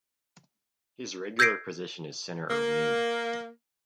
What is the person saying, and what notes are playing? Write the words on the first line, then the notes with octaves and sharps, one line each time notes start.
His regular position is centre or wing.
E6 G6 G#6 A#6 C7 D7
A#3